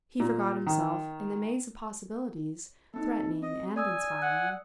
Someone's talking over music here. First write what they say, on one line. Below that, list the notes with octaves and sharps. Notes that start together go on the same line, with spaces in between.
He forgot himself in the maze of possibilities threatening and inspiring.
A#2
D#3
A#3 C4 D#4 A4
C4 D#5
D5 G#5 D#6 E6
F#5